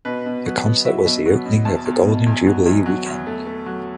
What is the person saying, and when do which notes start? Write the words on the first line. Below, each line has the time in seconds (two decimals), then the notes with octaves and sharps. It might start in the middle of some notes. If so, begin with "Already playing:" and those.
The concert was the opening of the Golden Jubilee Weekend.
0.05 B2 B4
0.26 B2
0.46 F#3
0.65 B3
0.85 F#3 E5
1.05 B2
1.26 F#3
1.46 B2
1.65 E2 A5
1.86 E2
2.05 B2
2.26 E2
2.46 F#3
2.66 E2
2.86 F#3
3.06 E2
3.27 A3
3.46 A3
3.66 F#3